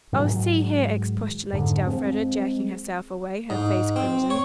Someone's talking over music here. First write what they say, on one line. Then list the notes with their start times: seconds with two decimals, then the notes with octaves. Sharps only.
"Oh, see here," expostulated Elfreda, jerking herself away, her face crimson.
0.13 G#2 D#3 F#3 G#3
1.53 F1 G#2 D3
1.87 F3 G#3 C4
3.50 G#2
3.96 C4
4.30 C#5